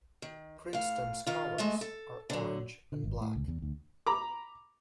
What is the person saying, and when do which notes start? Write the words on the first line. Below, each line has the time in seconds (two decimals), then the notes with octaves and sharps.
Princeton's colors are orange and black.
0.22 D#3
0.73 A2 F5
1.27 D#3 F4
1.58 G#3 A3 D#5 E5
1.81 A4
2.30 D3 F#3
2.92 D3
3.04 G#1
3.21 A2
3.35 C#2
3.48 E2
3.62 D2
4.07 A#5 B5 D6